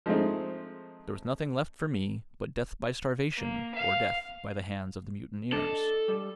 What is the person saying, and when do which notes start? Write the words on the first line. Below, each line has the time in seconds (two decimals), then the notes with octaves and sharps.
There was nothing left for me but death by starvation or death by the hands of the mutineers.
0.06 F3 G#3 A3 C4 D#4
3.37 A#3
3.74 F5
5.52 D4 A4 D#5
6.08 G3